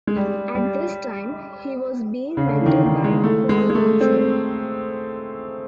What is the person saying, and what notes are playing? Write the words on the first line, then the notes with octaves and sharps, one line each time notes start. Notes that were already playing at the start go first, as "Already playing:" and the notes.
At this time he was being mentored by Paul Watson.
G#3
G3
G3
C#3
D3
E3
D#3
D#3
G#3
A3
G#3
G#3
A3
C4